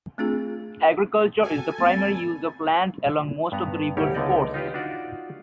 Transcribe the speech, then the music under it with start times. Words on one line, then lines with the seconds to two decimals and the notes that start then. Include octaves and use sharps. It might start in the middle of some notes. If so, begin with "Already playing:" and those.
Agriculture is the primary use of land along most of the river's course.
0.18 A3 C4 D4 F4 G#4
1.43 F#4 G4 A4 G#5
1.78 F2 A3 B3 D5 A6
3.52 G2 B3 A#5
3.97 D2 G3 E4 G4 A#4 C#5
4.14 C#2 D3 B3 D#4 D5 D#5
4.54 D#4 F4 G4 B4
4.74 D4 D#4 F4 F#4 D5